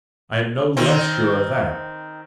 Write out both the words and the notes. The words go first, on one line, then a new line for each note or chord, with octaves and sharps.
I am no less sure of that.
D#3 C4